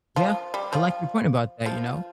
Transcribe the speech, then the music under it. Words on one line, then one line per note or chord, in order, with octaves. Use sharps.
Yeah, I like your point about that, you know?
F3
G3
F3
F3